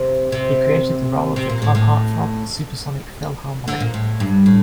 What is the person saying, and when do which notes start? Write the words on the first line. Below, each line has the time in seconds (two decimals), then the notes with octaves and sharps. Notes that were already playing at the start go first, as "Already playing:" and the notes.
He created the role of the club heart-throb, Supersonic Phil Harmonic.
Already playing: C3
0.32 C3
1.36 C3
1.50 A#2
1.62 A2
1.75 A2
3.68 D3
3.80 A#2
3.94 A2
4.20 G2
4.46 A2